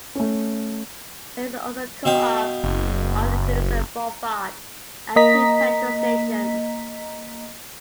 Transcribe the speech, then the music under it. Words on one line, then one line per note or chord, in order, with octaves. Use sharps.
There is also a Co-Op on Goodison Boulevard, and two petrol stations.
A3 C#4
B2 F5 G5
F#1
A#3 D#5 A#5 B6